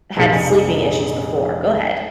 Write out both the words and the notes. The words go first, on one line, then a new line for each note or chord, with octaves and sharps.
had sleeping issues before. Go ahead.
F1 A#1 D#4 G#4 C#7